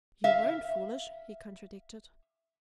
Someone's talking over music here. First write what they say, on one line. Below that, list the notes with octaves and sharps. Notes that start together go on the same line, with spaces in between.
"You weren't foolish!" he contradicted.
E5 F5